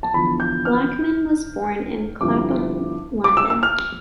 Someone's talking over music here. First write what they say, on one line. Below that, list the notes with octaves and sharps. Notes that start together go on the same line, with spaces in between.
Blackman was born in Clapham, London.
A5
E2 D3 F3 B5
G6
F6
G2 D3 F3 C4 E4 D6
D6
E6
E6
F6